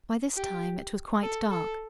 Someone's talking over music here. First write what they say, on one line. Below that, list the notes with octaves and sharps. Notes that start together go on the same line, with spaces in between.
By this time it was quite dark.
G4
A4
A4